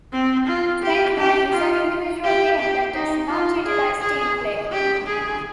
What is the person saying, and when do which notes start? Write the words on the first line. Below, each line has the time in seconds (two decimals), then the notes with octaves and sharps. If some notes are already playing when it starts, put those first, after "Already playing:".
Twenty-one is an individual game that does not utilize team play.
0.12 C4
0.47 F4
0.82 G4
1.18 G4
1.53 F4
2.24 G4
2.59 G4
2.95 D#4
3.30 F4
3.66 G#4
4.01 G#4
4.72 G4
5.07 G#4